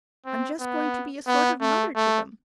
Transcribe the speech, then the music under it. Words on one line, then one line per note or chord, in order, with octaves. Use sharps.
I'm just going to be a sort of mother to them.
C4
B3
B3
A3
A3